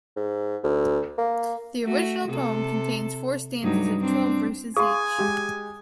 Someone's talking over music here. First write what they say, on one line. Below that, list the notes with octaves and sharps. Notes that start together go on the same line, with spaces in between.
The original poem contains four stanzas of twelve verses each.
G#2
D2
A#3
A3 F#4
C3 A4
G2 F#3 D#4
C4 D4
G#4 F5 G#5 C6 D#6
G#3 G4